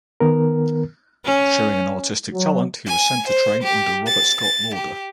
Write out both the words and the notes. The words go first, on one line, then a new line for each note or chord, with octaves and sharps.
Showing an artistic talent he was sent to train under Robert Scott Lauder.
D#3 B3 A#4
C#4
F#3
G#5
C5
G4
A6
A6
G4